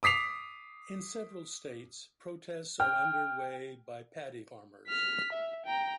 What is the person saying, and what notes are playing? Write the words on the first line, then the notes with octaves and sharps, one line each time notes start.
In several states, protests are underway by paddy farmers.
D6 D#6 B6 C7 F7
G5 F6
F6 B6
E5
G5 A#5